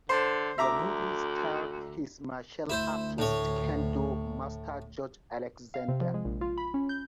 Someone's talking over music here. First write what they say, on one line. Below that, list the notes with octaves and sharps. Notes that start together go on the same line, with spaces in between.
The movie starred his Martial Artist's Kendo Master George Alexander.
D3 C5
D2 E5 A#5 D6
D2 E4 C5
A2 C#5
F5
C3
F3
G#3
A#1
F4
B5
C#4
G6